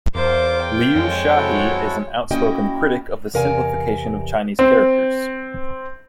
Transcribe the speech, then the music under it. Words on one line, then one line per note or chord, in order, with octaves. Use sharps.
Liu Shahe is an outspoken critic of the simplification of Chinese characters.
E2 F4 A#4 C5 D6
G5
F2 G#3 C#5
E4 F#4 A4
A#3 C#4 E4 F#4 D#5 G5
E2 C3 A#4 F5 G#5
C4